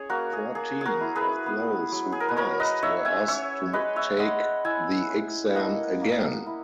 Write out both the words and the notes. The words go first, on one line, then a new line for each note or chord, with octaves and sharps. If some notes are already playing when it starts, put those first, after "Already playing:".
Fourteen of those who passed were asked to take the exam again.
Already playing: C#4 G#4 C#5
A#3 F#4 A#4
G#4
A#3 G#4
F#4 G#4 A#4
E4
G#4 B4
B3
F#3
G#4
A#4
B4
F#3 A#4 C#5
B4 D#5
D#4 C#5 E5
E5 G#5
C#4 C#5 E5
G#3 B4 D#5
C#5 E5
G#3 D#5 F#5
E4 E5 G#5
C#4
A#3 D#5 F#5
A#3
E4